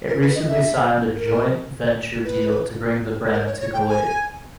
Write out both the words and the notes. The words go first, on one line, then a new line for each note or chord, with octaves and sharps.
It recently signed a joint venture deal to bring the brand to Kuwait.
A#4
B4
D#5
E5
A#4
B4
A#4
C#5
C#5
G5
G#5